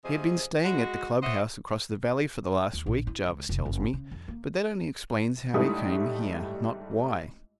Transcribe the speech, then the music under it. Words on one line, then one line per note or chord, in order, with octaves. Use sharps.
He had been staying at the club-house across the valley for the last week, Jarvis tells me, but that only explains how he came here, not why.
C3 F3 G#4 C5 D#5
G#3 F#4
C5 C#5 D#5 E5 F#5
D#2
A#1
E4
C#2
F1
F#1
C#3
F2
A#3
A1 G#2 G3 A3 E4 D#6